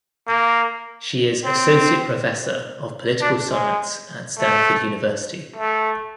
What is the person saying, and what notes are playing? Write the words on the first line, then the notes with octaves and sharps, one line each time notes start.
She is Associate Professor of Political Science at Stanford University.
A#3
C4
D4
G#3
A3
A3